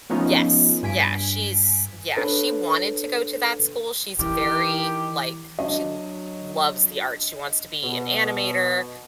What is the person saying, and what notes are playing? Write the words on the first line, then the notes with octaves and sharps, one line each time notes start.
Yes, yeah, she's yeah, she wanted to go to that school, she's very, like she l loves the art, she wants to be an animator
F3 A3 B3 C#4 D#4 F4
G2 G#5 B6 D7
D4 A4 B4 C#5
D#3 E3 G4
F#3 D4 D#5
B2